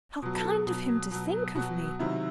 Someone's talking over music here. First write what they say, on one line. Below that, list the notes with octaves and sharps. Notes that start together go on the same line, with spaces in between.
'How kind of him to think of me!
B2 F#3
A4
B2 F#3
B2 F#3
B2 F#3 F#4
C3 D#3 F#3 E4